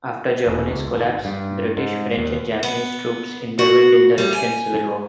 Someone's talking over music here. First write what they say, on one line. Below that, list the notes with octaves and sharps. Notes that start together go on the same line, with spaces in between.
After Germany's collapse, British, French and Japanese troops intervened in the Russian Civil War.
E1
C#2
G#1
G2
G#2
D#2
B3
F#4
G3
G#5